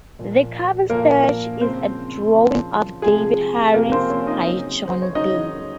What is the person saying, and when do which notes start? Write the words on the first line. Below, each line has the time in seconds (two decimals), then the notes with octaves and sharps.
The cover sketch is a drawing of David Harris by Joan Baez.
0.19 A#2 F3
0.90 A#2 F3 A#3 A#4
1.60 C#3 F3 C4 C5
2.32 C#3 F3
3.02 C3 F3 G#3 G#4
3.74 C3 F3 A#3 A#4
3.92 C4 C5
4.10 C#4 C#5
4.27 D#4 D#5
4.45 C#3 F#3
4.88 C5
5.02 C#5
5.15 C#3 F#3 D#4 D#5